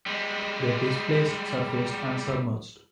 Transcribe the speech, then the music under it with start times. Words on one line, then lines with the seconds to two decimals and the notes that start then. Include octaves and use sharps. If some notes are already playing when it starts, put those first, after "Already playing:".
They displaced surfaced and submerged.
0.06 G3 G#3